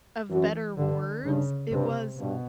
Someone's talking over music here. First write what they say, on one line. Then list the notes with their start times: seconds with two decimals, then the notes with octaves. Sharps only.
of better words, it was
0.30 F#2 E3
0.77 G2 D3
1.24 G2 C#3
1.71 G2 C3
2.18 G2 B2